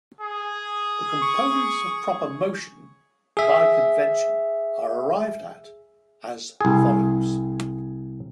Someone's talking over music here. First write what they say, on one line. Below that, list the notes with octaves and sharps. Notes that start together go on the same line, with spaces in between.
The components of proper motion by convention are arrived at as follows.
G#4
C#6
G#4 E5
C2 G#4